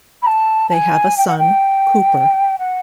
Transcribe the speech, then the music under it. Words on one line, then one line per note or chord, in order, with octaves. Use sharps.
They have a son, Cooper.
B5
A5
A5
G#5
G5
F#5
G5
F#5